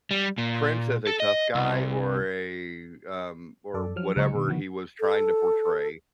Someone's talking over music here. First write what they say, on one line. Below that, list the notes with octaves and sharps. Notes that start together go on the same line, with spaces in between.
Prince as a tough guy or a, um, or whatever he was trying to portray
G3
A#2
A4
D#5
C2
F#2 A4 D5
F3 F#3 F6
C#2 F#3 D#4 C#6
B2 D#3
D3 D#3 F3 B3 F#4
A4